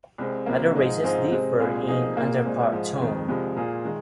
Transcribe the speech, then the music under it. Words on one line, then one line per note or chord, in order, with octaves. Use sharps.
Other races differ in underpart tone.
C2 C3 G#3 C4
C2 C3 F3 A#3
G#2 F3 G#3 D#4
G#2 F3 C4 D#4 G#4
C3 G#3 C4
C2 A#2 G#3 F4 G#4
C3 F3 A#3 D#4 G#4
C2 A#2 A#3 G#4
A#2 G#3 C4
G#2 F3 G#3
F2 D#3 C4
C2 C3 F3 G#3
A#2 A#3 F4 G#4
D#3 G#3